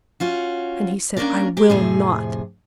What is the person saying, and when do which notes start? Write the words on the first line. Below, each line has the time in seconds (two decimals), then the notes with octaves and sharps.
And he said, "I will not."
0.20 C#4 F4 F#4
1.17 A#3 C#4 D4 A#4 D5
1.57 G4 G#4 A#4
1.70 F2 A2 C3 G#4